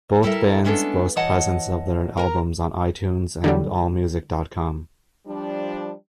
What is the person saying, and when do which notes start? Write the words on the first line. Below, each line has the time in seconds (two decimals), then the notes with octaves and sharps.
Both bands boast presence of their albums on iTunes and Allmusic.com.
0.23 G3 E4 A4 A#4 E5
0.64 G#3 B3 C#4 D4 F#4 A4
1.16 E3 F#4 C#5 D#5 F#5 A5
2.17 A#4 G#5 A#5
3.44 D3 F#3 G3
5.26 F3 G3 D4